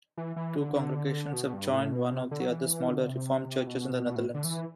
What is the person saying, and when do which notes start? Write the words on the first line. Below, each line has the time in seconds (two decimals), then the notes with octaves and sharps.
Two congregations have joined one of the other smaller Reformed churches in the Netherlands.
0.17 E3
0.36 E3
0.56 D3
0.75 D3
1.33 B2
1.53 G2
1.73 A2
1.92 B2
2.12 C3
2.31 D3
2.40 F#3
2.51 E3
2.89 D3
3.09 C3
3.67 B2
4.06 B2
4.16 A2
4.34 D3
4.44 E3